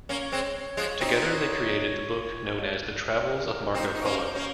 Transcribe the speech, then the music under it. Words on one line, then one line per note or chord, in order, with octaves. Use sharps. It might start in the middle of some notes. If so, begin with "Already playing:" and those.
Together they created the book known as "The Travels of Marco Polo".
A#3 C#4 C#5
G#3 C4
C#5
F3 G#3
C4 D#4
A#4
C4 D#4 C5
D#4
A#3 C#4
A#4
A#3 C#4 C5